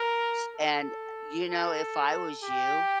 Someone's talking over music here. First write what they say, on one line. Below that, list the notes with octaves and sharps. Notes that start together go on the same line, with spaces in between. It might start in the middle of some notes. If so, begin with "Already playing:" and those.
s and, uh, you know if I was you
Already playing: A#4
A4
A4
G4